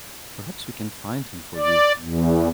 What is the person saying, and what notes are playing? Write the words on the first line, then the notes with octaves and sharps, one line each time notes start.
Perhaps we can find him for you.
D5
E2